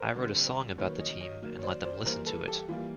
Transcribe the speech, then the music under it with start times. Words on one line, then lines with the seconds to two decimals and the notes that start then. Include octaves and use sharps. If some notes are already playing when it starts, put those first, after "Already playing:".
I wrote a song about the team and let them listen to it.
Already playing: A#4 C5
0.15 D3 G3 C4
0.78 D#3 F#3 A#3 B4 C#5
0.99 C#5 D#5
1.20 C#5 D#5
1.42 D#3 F#3 A#3
1.59 C#5
1.63 C5 D5
1.84 C5 D5
2.05 E3 G3 A#3 A#4 C5
2.26 A4 B4
2.47 G4 A4
2.68 E3 G3 A#3 F4